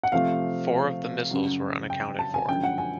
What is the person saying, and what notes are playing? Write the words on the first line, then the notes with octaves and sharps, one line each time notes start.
Four of the missiles were unaccounted for.
F#5
C3 F3 A3 F5
F#2 C#3 F#3
G5
A5
G#5
F#2 D3 F3 G#3 G5
F#5
G#5